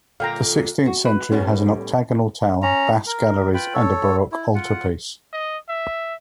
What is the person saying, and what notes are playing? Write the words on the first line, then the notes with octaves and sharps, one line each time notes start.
The sixteenth century has an octagonal tower, Basque galleries and a Baroque altarpiece.
A#2 D3 F5 G5 A#5
F#4
B4
A2 G3 B3 C#4
C#4 A#5
A#4
F4 B4 G5 B5
A4 C#5
E4
F4 F#5
D#5
E5